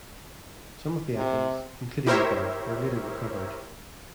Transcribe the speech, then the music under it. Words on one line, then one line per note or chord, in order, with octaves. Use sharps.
Some of the items, including the gun, were later recovered.
C3
E4 G4 A#4 C5 C#5 E5